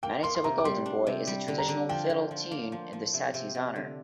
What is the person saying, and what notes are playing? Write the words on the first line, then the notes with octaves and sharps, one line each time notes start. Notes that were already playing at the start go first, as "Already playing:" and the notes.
"Manitoba Golden Boy" is a traditional fiddle tune in the statue's honour.
A#3 G5
A#3 C6
C6
C3 A#5
D6
G3 C6
D4
C3
G3
D3
A#5
D3
F3 G5
D3
F3
A#3
F3
F3
C3
C3
C3
D3